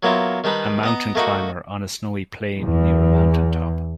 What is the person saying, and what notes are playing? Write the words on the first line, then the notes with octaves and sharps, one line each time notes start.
A mountain climber on a snowy plain near a mountaintop.
F#3 A#3 B3 E4 F4
D#3 G3 D4 D#4 B4
B3 D#5 A#5
A3 A#3 D#4 F#4
E2